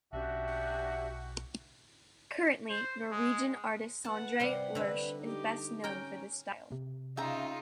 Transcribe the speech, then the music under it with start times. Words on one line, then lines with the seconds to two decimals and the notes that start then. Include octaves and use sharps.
Currently Norwegian artist Sondre Lerche is best known for this style.
0.13 B1 C#4 D4 F#4 G4 E5 A5
2.70 C5
3.11 G#3
4.04 B4 F#5 A5
4.40 C3 G3 C6
4.75 D3 B4 E5
5.21 D#4 G4
5.84 C#4 A#4 G5
6.72 C3
7.17 C#3 D#4 F4 E5 G5 A#5